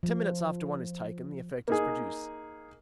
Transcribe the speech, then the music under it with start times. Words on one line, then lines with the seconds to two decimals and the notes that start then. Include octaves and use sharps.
Ten minutes after one is taken, the effect is produced.
0.03 F3
1.68 A#3 D#4 G#4